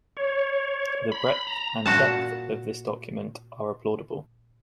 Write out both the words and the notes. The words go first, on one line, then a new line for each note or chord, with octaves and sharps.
The breadth and depth of this document are applaudable.
C#5
B5
A#5
A#2 F#4 F#5 A5